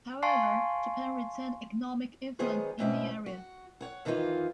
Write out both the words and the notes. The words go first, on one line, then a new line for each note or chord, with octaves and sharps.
However, Japan retained economic influence in the area.
F5 G#5 A5 C6 C#6 C7
D#3 F#3 B3 G#4 C5 C#5
G#2 B2 C4 C#4 E4
F#4
C#5 F#5
F2 D#3 E3 D#4 F4